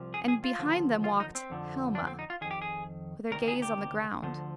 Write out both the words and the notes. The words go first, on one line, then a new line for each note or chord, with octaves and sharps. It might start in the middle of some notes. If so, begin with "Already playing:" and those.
And behind them walked--Helma, with her gaze on the ground.
Already playing: C2 C3 F3
G#4
G#4
F4
D#2 D3 F3
F4
D#4
C4
F2 D3 F3
D4
C4
D#4
F4
F2 D#3 G#4
G4
G#4
D2 C3 D#3 A#4
G#4
G4
D2 D3 F3